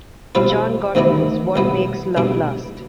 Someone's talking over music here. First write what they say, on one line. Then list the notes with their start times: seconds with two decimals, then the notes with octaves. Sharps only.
John Gottman's What Makes Love Last?
0.35 B2 G3 C4 F4 B4
0.95 D2 C3 D#3 B3 D4
1.56 C2 B2 G3 B3
2.17 C2 B2 G3 D4